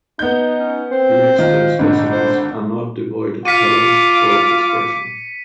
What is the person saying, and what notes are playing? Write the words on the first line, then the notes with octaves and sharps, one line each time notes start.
The extant specimens are not devoid of talent or of expression.
B3 D#4 G6
C#4
C4 C5
D#3 F4
G#1 D3 D#4
C5
F4 D6 B6 C#7 D#7